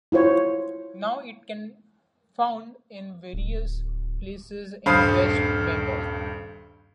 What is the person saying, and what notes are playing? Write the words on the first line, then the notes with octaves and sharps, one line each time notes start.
Now it can found in various places in West Bengal.
E4 F4 C5 C#5
D1
D#1 G2 C5 F5 B5 D#6